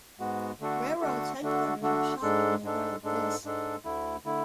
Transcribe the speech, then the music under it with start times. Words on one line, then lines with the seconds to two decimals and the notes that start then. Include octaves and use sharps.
Railroad's headquarters are shocked when they learn of this.
0.19 G#2 G#3 B3 F#4
0.60 D3 A3 D4 F#4 A4
1.01 D3 A3 D4 F#4 A4
1.42 D3 A3 D4 F#4 A4
1.81 D3 A3 D4 F#4 A4
2.22 G#2 G#3 D4 A4
2.63 G#2 G#3 D4 A4
3.03 G#2 G#3 D4 A4
3.44 G#2 G#3 D4 A4
3.84 D2 D3 A3 E4
4.25 D3 A3 E4